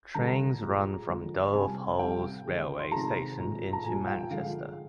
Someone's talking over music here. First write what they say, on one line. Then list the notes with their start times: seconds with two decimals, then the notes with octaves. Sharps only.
Trains run from Dove Holes railway station into Manchester.
0.15 D3 G3 A#5
0.61 A#2 G#3
1.08 D3 F3 G#3
1.53 C3 G3 G#5
1.99 C3 G3 G5
2.45 D3 G#3
2.79 C6
2.92 C3 D#3 G#3 A#5
3.38 A#2 G#3
3.73 A#5
3.84 A#2 G3 G#5
4.07 G5
4.31 D3 F3 G#3 F5